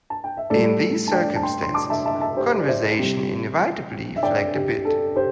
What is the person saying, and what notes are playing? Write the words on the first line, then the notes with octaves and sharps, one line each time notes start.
In these circumstances, conversation inevitably flagged a bit.
A5
G5
E5
A2 G3 A4 D5
A5
D5 G5
A5
G5 C6
C6
A5 D6
E5 A5
E5 A5
E5 A5
G4 C5
D5
C5 E5
C3 G3
E5
D5 G5
G4
A4
G4 C5